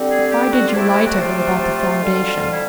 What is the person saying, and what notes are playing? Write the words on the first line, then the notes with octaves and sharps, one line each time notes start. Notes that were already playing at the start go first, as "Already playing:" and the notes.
"Why did you lie to her about the Foundation?"
Already playing: D3 G3 C4
G#4
G4
F#4
F4
C3 F3 A3 D4 E4
E4
F#4
F4
F2 D3 G3
E4